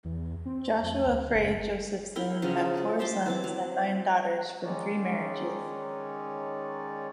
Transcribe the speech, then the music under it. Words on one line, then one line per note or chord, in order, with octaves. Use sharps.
Joshua Frey Josephson had four sons and nine daughters from three marriages.
E2
C4
F2
D2
F#1
E4 A#4 G5
C#3 F3 F#3 C#4
D5
G4 C5 G5 A5
E3 C4 D6
F#3
D#3 G#3 C#4 D#4 C#5 D5